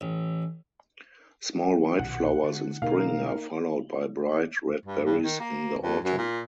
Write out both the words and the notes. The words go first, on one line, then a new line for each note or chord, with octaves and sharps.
Small white flowers in Spring are followed by bright red berries in the Autumn.
A1
B1 A#2 D#3 F#5
D3
B2 D3 G#3 A#3 D#4 A#4 F5
G2
G2
D#3
A#3
F2
F#2
A#2